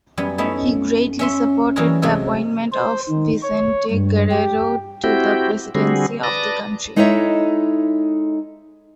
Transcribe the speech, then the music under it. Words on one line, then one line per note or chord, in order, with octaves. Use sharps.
He greatly supported the appointment of Vicente Guerrero to the presidency of the country.
F#2 G3 B3 G#5
A3 B3 C#4 D#4 E4
C#4 E5 C6
E3 F#3 G3 G#4 A#4 C#5
C3 F#3 G#3 G#4 A4
C5
D#3
C#5
G2
G4
C4 E4 F#4 G4 G5
D3 G3 C4 F#4 G#4
B4 D5 A5 D#6 A#6
G#3 D#4 E4 A4 C#5 E5